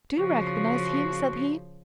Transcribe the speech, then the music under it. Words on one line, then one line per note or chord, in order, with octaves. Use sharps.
"Do you recognize him?" said he.
C#3 F3 F#4